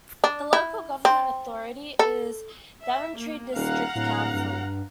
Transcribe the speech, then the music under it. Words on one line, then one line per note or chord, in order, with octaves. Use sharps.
The local government authority is Daventry District Council.
D4
E4
C4
A4
E5
A#3
D#1 F5 F#5 A#5
D1 A2
G2